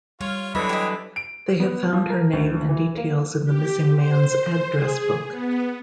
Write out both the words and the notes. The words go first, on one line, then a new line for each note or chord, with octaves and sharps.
They have found her name and details in the missing man's address book.
G3 F4 C#5 F5
D3 E3 F#3 B4 C#5 D#5 B5
G4 D#5
D7
B3
F3
A#4
D2
E3
A#3
G4
C5
G#4
B3